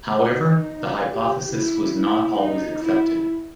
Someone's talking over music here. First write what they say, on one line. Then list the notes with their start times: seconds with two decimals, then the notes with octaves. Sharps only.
However the hypothesis was not always accepted.
0.22 D#4
1.09 G4
1.52 E4
1.96 E4
2.39 D#4
2.83 E4